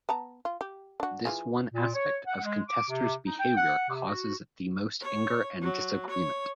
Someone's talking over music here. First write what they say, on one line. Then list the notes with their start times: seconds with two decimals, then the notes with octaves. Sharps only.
This one aspect of contesters' behaviour causes the most anger and disagreement.
0.09 B3 A5 A#5
0.45 F4
0.61 G4
1.00 D4 F#4
1.25 E3 F4 G#4
1.74 A#2
1.94 C#5
2.27 F#5
2.42 G#3
2.68 D6
2.88 C3
3.25 D#4
3.39 G5
3.56 F#5
3.90 C3
4.07 F#4
5.02 C#5
5.62 F#3
6.10 C#5